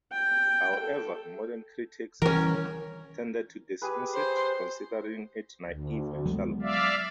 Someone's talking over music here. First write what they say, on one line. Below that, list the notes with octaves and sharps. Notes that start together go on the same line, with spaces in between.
However, modern critics have tended to dismiss it, considering it naive and shallow.
G5
A4
D#3 E3 G3 C#4 A#4
G4 G#4 B4
C5
D2
F#3 G#3 B3
D5 E5 F5